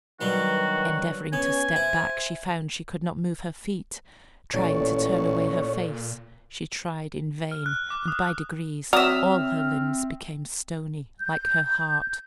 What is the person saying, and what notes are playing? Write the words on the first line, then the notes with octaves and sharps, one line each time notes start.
Endeavoring to step back, she found she could not move her feet; trying to turn away her face, she tried in vain; and by degrees all her limbs became stony like her heart.
G2 D#3 F#3 B3 F#4
B3 C#4 G#5
E4 C5
A1 A#2 A4 C#5 D5
F6
F#6
D6
D#6
F#3 C4 D5 E5 D#6 F6
G6